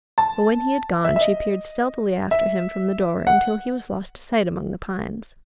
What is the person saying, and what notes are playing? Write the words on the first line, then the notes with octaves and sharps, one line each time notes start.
But when he had gone she peered stealthily after him from the door until he was lost to sight among the pines.
A5
E5
E5
D#5
E5
F#5